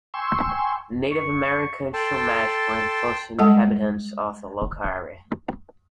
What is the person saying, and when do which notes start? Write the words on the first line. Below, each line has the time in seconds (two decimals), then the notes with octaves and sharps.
Native American Chumash were the first inhabitants of the local area.
0.14 G5 G#5 C6 C#6 E6
1.11 C#6
1.93 A4 G5 A5 C6
3.39 G3 G#3 A4 F#5 A5